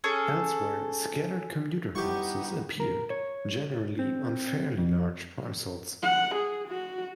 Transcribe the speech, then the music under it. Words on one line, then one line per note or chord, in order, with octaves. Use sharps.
Elsewhere, scattered commuter houses appeared, generally on fairly large parcels.
C#4 G#4 A4
G3 B3 D#4 E4 G4 C#6
A#4
C#5
C4
F2
F#5
G#4
F#4